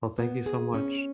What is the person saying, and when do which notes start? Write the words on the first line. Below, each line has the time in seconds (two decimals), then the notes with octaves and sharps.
Well, thank you so much.
0.18 B3
0.46 G#4
0.74 C#4